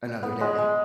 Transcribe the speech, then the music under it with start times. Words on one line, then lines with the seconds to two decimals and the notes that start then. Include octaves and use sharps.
another day
0.23 B3
0.41 G#3
0.58 G#3